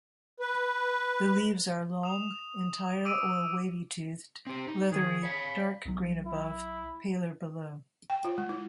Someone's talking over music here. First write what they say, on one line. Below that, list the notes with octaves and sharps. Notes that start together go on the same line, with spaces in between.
The leaves are long, entire or wavy-toothed, leathery, dark green above, paler below.
B4
D#6 E7 F7
D6 E6 D7 D#7
C4 G4
D#4
D#3 G#4
C#5 F5 B5
B1 F#3
E4
G5
F4
G#3
E4